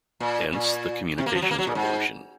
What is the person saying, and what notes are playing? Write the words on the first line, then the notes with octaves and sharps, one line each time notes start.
Hence: the "Communications Revolution".
A#2
A#2
C3
A#3
F3
F#3
A#3
F#3
A#2
G#2